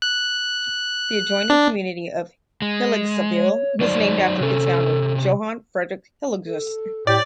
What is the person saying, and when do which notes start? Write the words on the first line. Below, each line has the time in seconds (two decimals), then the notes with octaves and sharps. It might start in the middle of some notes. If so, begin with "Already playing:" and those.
The adjoining community of Hillegassville was named after its founder Johann Frederick Hillegass.
0.02 F#6
1.50 D4
2.62 G#3
3.35 C#5
3.81 F#3 D#4 C5 D5
4.40 C3 C#4 A4
6.45 A4
7.07 A2 G4 C#5 D5